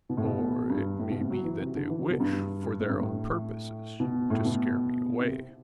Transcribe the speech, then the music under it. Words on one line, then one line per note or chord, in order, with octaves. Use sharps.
"Or it may be that they wish, for their own purposes, to scare me away."
B2
A2
B2
G2
A2
B2
C3
F#3
E3
C3
D3
E3
F#3
B2
G2
A2
G2
A2
B2
A2
B2
C3